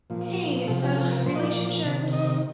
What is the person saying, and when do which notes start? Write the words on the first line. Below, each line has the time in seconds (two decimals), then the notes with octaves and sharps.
Hey, uh, so relationships
0.10 A#2 F3
0.67 C3 F3 A4
0.82 G4
0.97 A4
1.12 A#4
1.26 A#2 F3 C5
1.35 D#5
1.40 D5
1.84 C3 D#3
2.13 D#5